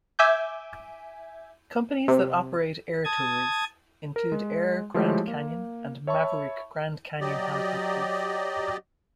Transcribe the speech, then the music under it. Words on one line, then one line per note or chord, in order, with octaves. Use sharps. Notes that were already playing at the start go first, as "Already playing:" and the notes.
Companies that operate air tours include Air Grand Canyon and Maverick Grand Canyon Helicopters.
E5 G#5 D6 G6
C3
A5 D#6 G#6
A#4
G#3
F3 G#3 A3 E4 G4 C#5
A#3
C#5 E5 A5 B5 C#6
F#3 G4 D5 D#5